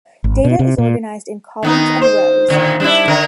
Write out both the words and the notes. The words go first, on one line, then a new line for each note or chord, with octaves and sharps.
Data is organized in columns and rows.
G#1
B2
C3
A#2
D#3 B3 D#4
C5
A#2 D3 D#3
G3 D4 E4
D3 A#4